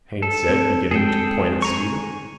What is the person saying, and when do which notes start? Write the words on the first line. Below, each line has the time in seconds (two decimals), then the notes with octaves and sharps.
Haines said, beginning to point at Stephen.
0.22 A4
0.49 C4
0.91 G#3 B3 C4 G#4 A4 G5
1.62 G#5 A#5 C#6